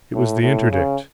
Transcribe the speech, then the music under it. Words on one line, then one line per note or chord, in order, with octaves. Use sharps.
It was the INTERDICT!
A2
A2
C#3